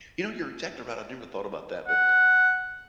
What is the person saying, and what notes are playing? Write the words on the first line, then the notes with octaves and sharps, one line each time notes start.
You know, you're exactly right, I've never thought about that, but
F#5